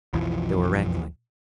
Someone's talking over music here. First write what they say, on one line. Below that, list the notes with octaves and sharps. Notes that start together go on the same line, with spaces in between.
They were wrangling.
B1 F2 E3 F3